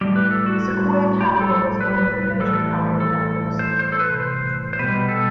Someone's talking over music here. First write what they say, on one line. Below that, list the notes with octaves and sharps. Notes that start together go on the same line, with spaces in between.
Sequoia Capital was one of their venture capital backers.
A2 G3 G4
B4
A4
F#4
F#4
G4
A4
B4
A2 E3 G3 A4
A4
C5
C5
A4
B4
C5
C5
B2 G3 B4
A4